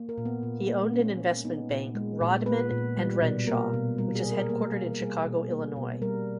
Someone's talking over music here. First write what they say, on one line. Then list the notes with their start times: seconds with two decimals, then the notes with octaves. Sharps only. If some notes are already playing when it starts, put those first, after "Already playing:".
He owned an investment bank "Rodman and Renshaw" which is headquartered in Chicago, Illinois.
Already playing: A#3
0.09 A#4
0.18 A#2
0.25 B3
0.43 A#2
0.68 A#3
0.93 G#3 C#4
1.19 A#2
1.45 B3 D#4
1.70 A#2
1.95 G#3
2.21 A#2
2.46 B3 B4
2.71 A#2
2.97 G3
3.22 B2
3.47 A#3 A#4
3.74 B2
3.98 G3 A#4
4.16 G#4
4.24 B2
4.32 A#4
4.49 A#3 A#4
4.74 B2
5.01 G3 G#4
5.25 B2
5.51 A#3
5.76 B2
6.02 G3 A#4